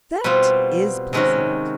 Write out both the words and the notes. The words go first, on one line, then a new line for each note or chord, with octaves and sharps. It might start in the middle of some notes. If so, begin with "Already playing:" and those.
That is pleasant!
B2 G3 C4 F4
C3 D#3 G#3 C#4 F#4